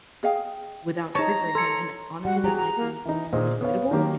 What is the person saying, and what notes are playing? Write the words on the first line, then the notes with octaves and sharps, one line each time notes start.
without triggering him, and it honestly, that might be unavoidable,
G#4 D#5 F5 G5
D#4 C#5 A5 A#5
A4 C6 G#6 C#7
G3 F#4 F#5
G4 G#4 A#5
A#5
A#3
E3 D#4
A#2 G#4 C5 D#5
B3 C#5 F5
D#3 F#3 A#3 G4